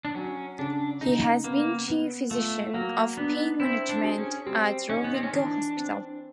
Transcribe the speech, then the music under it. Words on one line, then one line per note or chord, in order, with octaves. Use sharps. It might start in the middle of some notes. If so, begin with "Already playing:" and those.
He has been chief physician of pain management at Rovigo Hospital.
D4
F#3 C#4
C#3 D4
C#3 D#4
A#3 B3
B3
A3 F4
F#3 A#3
B3 D4
C4 E4
D4
G#4
C#4
G3 C4
C#4 D#4
B3
C4
C#4
E3 D4
C4